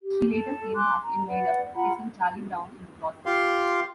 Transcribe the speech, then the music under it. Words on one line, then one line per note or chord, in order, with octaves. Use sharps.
She later came back and made up, kissing Charlie Brown in the process.
G4
A4 A5
G#5 C6 D6 F#6
A#5
B4 D5 F#5
F4 F#5 A#5 B5
F4 G4 F5 C6